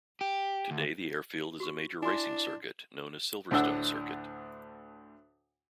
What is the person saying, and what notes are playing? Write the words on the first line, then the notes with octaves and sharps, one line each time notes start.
Today the airfield is a major racing circuit known as Silverstone Circuit.
G4
D2
F#4 C#6
D4 E4 G#5 C6
D2 A2 D4 F#5 E6